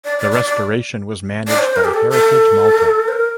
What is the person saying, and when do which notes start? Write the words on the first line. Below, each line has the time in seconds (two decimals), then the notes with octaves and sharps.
The restoration was managed by Heritage Malta.
0.05 D5
0.19 D5
0.31 D5
0.44 D5
1.48 D5
1.59 C5
1.76 A#4
1.85 G4
1.94 A4
2.11 A4
3.08 C5
3.12 A#4